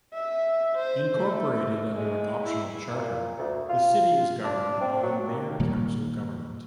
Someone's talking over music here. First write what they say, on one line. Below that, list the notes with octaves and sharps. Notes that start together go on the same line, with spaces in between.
Incorporated under an "optional charter", the city is governed by a mayor-council government.
E5
C5
A3
G#3
E4
A#2
D2
F4
D4
C4
F#3
D#2
A#2 D#3 G3 A#3